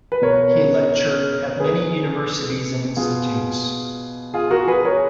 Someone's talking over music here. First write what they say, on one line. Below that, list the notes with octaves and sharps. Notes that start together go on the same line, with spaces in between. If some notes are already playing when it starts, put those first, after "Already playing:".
He lectured at many universities and institutes.
B4
B2 A#4 C#5
G#4 B4
B2 F4 G#4
F4 G#4
F#4 A#4
G#4 B4
A#4 C#5